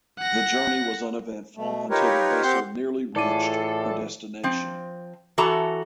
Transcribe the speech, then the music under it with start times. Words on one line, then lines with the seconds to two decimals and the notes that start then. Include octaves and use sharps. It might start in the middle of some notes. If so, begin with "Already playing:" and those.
The journey was uneventful until the vessel nearly reached her destination.
0.19 F#5 A#6
1.56 B2 A3
1.90 D#4 F4 G4 A#4 B4 C#5
2.43 C4 G4 F#5 C6 G6
3.16 A2 E3 F4 G#4 A4 D5 D6 D#7
4.44 F3 C4
5.38 E3 F#4 A4 A5 A#5